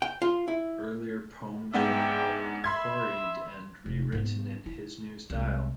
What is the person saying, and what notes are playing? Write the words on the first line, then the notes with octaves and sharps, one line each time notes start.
Earlier poems were now 'quarried' and rewritten in his new style.
G5
F4
E4
G#2 B3 D4 G4 E5 G5
E5 B5 C6 G#6
F1
G#2 B3
E4
C2 G#3